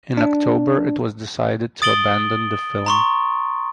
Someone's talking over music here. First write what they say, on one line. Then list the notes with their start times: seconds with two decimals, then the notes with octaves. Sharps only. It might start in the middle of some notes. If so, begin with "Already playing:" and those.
In October it was decided to abandon the film.
0.17 D4
1.82 D#6 A6 D7 F#7 G7
2.86 A#5 C6 C#6